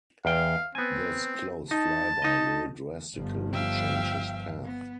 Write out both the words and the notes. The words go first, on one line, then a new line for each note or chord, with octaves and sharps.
This close flyby will drastically change his path.
E2 F5 G5
B3 C4 G#5
D#4 A5
D#4 D#5
G1 F3
E5 F5 G5
B3